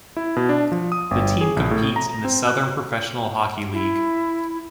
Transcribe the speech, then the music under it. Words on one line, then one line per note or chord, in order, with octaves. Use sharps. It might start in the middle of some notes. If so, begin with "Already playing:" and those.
The team competes in the Southern Professional Hockey League.
E4
B2
D4
F3
D#6
G1
G#4
A#1
A2
A#5
C4
F#6
E4